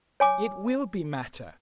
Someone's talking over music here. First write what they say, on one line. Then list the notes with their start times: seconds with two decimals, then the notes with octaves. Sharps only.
'It will be matter.
0.20 C#5 G#5 D6